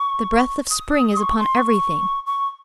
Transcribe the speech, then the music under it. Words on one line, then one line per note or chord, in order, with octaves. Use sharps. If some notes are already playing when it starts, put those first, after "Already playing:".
The breath of spring is upon everything.
Already playing: C#6
D#6
C6
C#6
C6
C#6
C#6